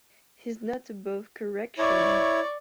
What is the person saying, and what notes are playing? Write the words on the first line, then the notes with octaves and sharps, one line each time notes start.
He's not above correction.
E4 C#5 D5 C#6